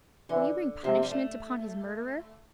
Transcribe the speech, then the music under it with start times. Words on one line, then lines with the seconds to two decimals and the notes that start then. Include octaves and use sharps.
Will you bring punishment upon his murderer?
0.29 D3 E3
0.84 C3 F3
1.03 G3
1.11 A3